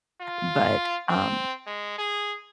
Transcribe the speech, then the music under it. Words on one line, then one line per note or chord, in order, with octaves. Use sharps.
but, um,
F4
C4
G#3
G#4